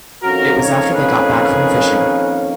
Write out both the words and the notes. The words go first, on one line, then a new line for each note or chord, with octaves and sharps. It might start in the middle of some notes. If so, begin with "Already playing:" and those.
It was after they got back from fishing.
F2 D#3 A#3 C#4 F#4 A#4
A#4 C#5
G#4 B4